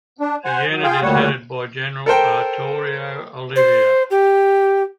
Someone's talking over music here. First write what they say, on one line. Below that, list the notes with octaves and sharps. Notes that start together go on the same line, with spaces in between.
The unit is headed by General Arturo Olivar.
D4
C5 F#5 G#5
F#3
F4 G#4 F5 G5
D2 A#2 G3 C#5 F#5
A4 A#4 C5 G5
C5
G4